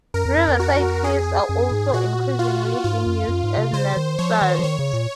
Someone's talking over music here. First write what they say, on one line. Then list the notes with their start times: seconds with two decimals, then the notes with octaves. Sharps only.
Riverside cliffs are also increasingly being used as nest sites.
0.14 F#2 A#4
0.25 F2
0.37 F#2
0.49 F2
0.60 F#4
1.04 G#4
1.49 F#2
1.71 G#2
1.93 A#2 F#4
2.39 F4
2.84 G#2 F4
3.06 F#2
3.29 F#2
3.44 G#2
3.58 C3
3.73 C#3 C5
3.97 D#3
4.19 F3 C#5
4.41 D#3
4.59 F3
4.64 D#3 C#5
4.79 C#3
4.93 A#2